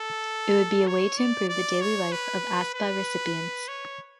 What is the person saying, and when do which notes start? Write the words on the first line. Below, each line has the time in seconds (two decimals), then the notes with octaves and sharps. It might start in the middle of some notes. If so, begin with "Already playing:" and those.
It would be a way to improve the daily life of ASPA recipients.
Already playing: A4
0.87 C#5
1.18 D5
1.49 D5
1.81 C#5
2.12 B4
2.74 B4
3.68 C#5